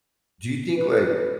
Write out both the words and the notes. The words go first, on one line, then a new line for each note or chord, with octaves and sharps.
do you think like
B4
A4
B4